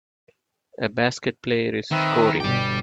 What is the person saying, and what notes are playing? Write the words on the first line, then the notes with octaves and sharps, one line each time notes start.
A basket player is scoring.
D#3 C4 B4 E5
G1 B2 D5 G5 D6